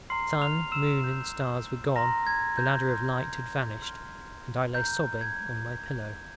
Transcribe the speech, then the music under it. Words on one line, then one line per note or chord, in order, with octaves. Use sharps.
Sun, moon, and stars were gone; the ladder of light had vanished; and I lay sobbing on my pillow.
A#5 C6 F6 C7
F6 F7
E6 E7
C6 E6 G6
A#5 C6 F6 A#6
G#6
G6
C6 F6
C6 F6
A#5 F6 G6
G#6